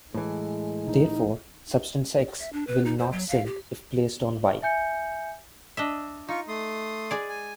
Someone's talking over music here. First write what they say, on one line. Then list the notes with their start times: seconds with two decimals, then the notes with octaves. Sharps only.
Therefore, substance X will not sink if placed on Y.
0.14 A2 E3 G#3
0.86 D#4
2.39 E5
2.53 D4
2.67 B4
2.85 D#4
2.98 C5
3.12 F#3
3.29 F5
3.46 G4
4.62 E5 G#5 G6 C#7
5.77 D4 D#5 E5
6.29 D#4 F4 C#6
6.48 A3 C6 D#6
7.11 G#3 G#4 D5
7.29 G#5